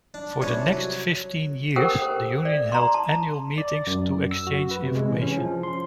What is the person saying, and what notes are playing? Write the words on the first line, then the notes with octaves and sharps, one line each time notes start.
For the next fifteen years the Union held annual meetings to exchange information.
D4
C2 C#4 D4 C#5
F#3
G4 A4 A#4 C5 F#5 G5
C5
D5
A#5 C6
A5
D5
F#2
E6
F#4
B4
C3
G#3
E3
C#4
F3
C6